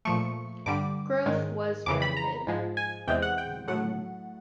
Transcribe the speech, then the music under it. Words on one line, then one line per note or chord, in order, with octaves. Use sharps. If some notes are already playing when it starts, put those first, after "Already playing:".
Growth was rapid.
A#2 F3 A3 C#6
G2 D3 G3 D6
G#2 D#3 G#3
F2 C#3 E3 D6
B5
A#5
G#2 F3 G#3
G#5
E2 C3 E3 G#3 G5
F#5
G5
A2 F#3 A3 F#5